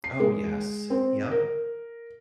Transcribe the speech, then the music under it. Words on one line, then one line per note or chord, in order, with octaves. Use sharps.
Oh, yes. Yep.
C7
G#3
C4
A#4